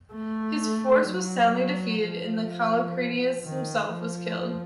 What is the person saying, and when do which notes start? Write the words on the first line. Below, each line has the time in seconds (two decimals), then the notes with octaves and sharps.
His force was soundly defeated, and Callicratidas himself was killed.
0.13 A3
1.07 F#3
2.02 F3
3.43 D#3
3.90 F3